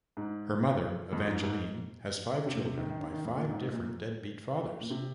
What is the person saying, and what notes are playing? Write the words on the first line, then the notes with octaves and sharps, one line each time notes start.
Her mother, Evangeline, has five children by five different deadbeat fathers.
G#2
F2
G#2
G#2
C3
A#2
C3
D#3
D#3
D#3
D#3
F2
A#2
G#2
A#2
A#2
C3